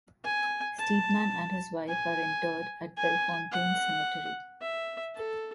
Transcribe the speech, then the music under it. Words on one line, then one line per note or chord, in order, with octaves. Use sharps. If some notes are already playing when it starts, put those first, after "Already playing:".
Steedman and his wife are interred at Bellefontaine Cemetery.
G#5
A5
G#5
G#5
F#5
E5
A4